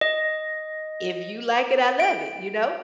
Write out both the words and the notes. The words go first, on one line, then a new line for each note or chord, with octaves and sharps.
"if you like it, I love it." You know?
D#5
D7